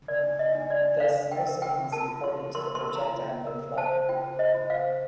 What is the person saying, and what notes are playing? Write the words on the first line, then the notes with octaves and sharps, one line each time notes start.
Thus, no spin is imparted to the projectile in flight.
A#4 D5
D4
D4 D#5
D4
D4 D5
D4
D4 F5
D4
A#4 G5
A#4
A#4 G5
F4
A#4 A5
F4
F4 C6
F4
A#4 C6
A#4
C6
A#4
A#5
F4
F4
F4
A#4
A#4
C5 A5
C5
F4 G5
C5
C5 D#5
F4
C5 F5
C5